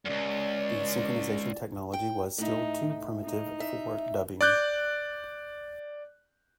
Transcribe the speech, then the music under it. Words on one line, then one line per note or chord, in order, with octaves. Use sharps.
The synchronization technology was still too primitive for dubbing.
C#2 F#2 D5
G5
A2 D#4 E5
D#4
E5
D5 D6 F#6 G6